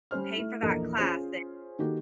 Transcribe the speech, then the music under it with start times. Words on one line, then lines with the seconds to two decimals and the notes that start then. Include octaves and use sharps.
pay for that class and
0.11 G3 C#4 C5 F6
0.36 A3 E4
0.62 A#1 E2 A#3 A4 A#4 D#5
0.98 C#4 F4 G#4 C5
1.79 D#3 A#3 F#4 G4 A4